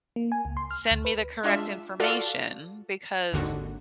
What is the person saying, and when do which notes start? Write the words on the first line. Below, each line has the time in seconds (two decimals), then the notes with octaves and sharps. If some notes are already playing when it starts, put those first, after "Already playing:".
send me the correct information because,
0.16 A#3
0.32 G#5
0.45 C#2
0.57 C6
0.71 F6
0.91 D2
1.05 B4
1.43 G#3 D4 F4 E5
2.00 F4 F#4 A4 D5 F5
3.33 G#1 D#2 D3 F#4